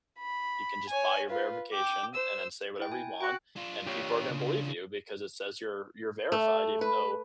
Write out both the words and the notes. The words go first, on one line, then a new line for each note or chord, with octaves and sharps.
you can just buy your verification, and then say whatever you want, and people are gonna believe you because it says you're you're verified, even though
B5
C#5 G#5
F4 B4
G5 D6
C5 E6
E4 G5
G#5
F#4 G5 F#6
D4 F4
G4 C#5
C#3
A3
B4